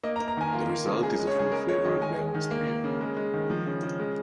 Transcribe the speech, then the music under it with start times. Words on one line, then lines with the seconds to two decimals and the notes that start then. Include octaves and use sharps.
The result is a full flavoured balanced beer.
0.03 A#3 D#5
0.16 A#5
0.20 A#3
0.28 A#5
0.37 D#3 G#5
0.52 A#3 F4
0.69 A#3
0.87 C#3
1.03 G#3 G#4
1.20 G#3
1.27 C#5
1.35 C#3 G#4
1.52 G#3 A#4
1.68 G#3 C#5
1.85 D#3 D#5
2.01 G#3 G#5
2.18 G#3
2.35 D#3
2.51 A#3
2.67 A#3
2.84 C#3
3.01 G#3
3.17 G#3
3.34 D#3
3.50 F3
3.66 C#3
3.83 C#3
4.00 G#3